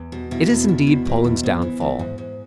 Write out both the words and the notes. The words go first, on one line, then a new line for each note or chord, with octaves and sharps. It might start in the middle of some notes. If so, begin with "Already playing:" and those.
It is indeed Poland's downfall.
Already playing: E2
B2
B2 E4
E2
E2
B2
B2
E2
G#2
E3
E3
G#2
G#2